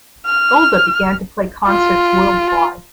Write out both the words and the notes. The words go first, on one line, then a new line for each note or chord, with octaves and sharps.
Gulda began to play concerts worldwide.
F6
F4